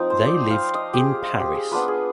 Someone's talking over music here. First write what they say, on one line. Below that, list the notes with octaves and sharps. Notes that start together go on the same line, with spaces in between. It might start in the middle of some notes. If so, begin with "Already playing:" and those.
They lived in Paris.
Already playing: F3 C4 D#4
C5
D5
F5
D#5
G4 G#4
F4
G4
G#4
B3 D4 F4 B4
G#4